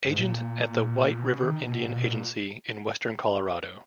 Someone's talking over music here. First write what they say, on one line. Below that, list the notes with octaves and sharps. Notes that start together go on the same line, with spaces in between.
Agent at the White River Indian Agency in western Colorado.
G#2
A#2
A#2
B2
C#3
D#3
B2
A#2
B2
A#2